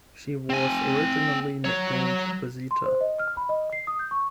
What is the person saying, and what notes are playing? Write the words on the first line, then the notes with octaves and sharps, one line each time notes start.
She was originally nicknamed "Rosita".
C4 G#5
F#3 C#5
C6
C5
D#5
F6
B5
D#5
C7
D#6
G6
C#6